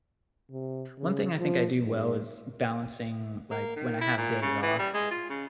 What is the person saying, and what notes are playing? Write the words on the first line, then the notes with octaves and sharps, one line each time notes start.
One thing I think I do well is, balancing, like, when I have days off,
C3
C#3
F3
G#2
A#3
D#3
E4
A#2
C#3
E3
G3
G#3
F4
C#3